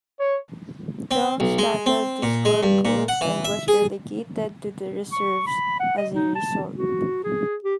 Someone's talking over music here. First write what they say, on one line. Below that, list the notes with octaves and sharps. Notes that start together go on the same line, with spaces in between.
Dong struggled to score goals and was relegated to the reserves as a result.
C#5
C4
B1
G#3
C4
A#2
G#3
G2
A#2
F#5
E3
E5
G#4
C#6
B5
F#5
D#5
D#4
A5
F#4
G#4
G4